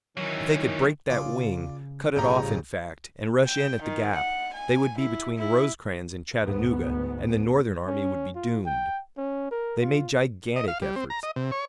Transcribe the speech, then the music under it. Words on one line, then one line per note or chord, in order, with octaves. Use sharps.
If they could break that wing, cut it off in fact, and rush in at the gap, they would be between Rosecrans and Chattanooga and the Northern army would be doomed. They made gigantic efforts.
D#3 E3 F#3 C#4
C#3 F4 D5
A1 G2 C#3 F3 A#5 G6
G5
D#3
F#5
G#5
E4
E4
D2 G#2 B3
C#4
F4
G5
C#4
A#4
F4
D#5
F5
G3
C4
A#5
D#5
C3
C#5